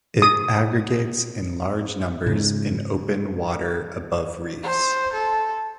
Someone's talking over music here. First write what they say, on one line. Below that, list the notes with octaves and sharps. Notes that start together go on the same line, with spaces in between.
It aggregates in large numbers in open water above reefs.
D#6
G#2 C#3
C5
A4